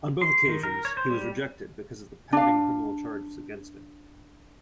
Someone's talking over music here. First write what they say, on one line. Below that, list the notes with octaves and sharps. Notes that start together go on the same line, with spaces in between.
On both occasions he was rejected because of the pending criminal charges against him.
C6
D#3
A#4
C#5
C5
G3
D4 F5